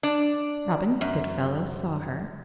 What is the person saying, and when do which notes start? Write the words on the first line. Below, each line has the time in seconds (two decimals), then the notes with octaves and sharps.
Robin Goodfelllow saw her.
0.03 D4
1.01 F#2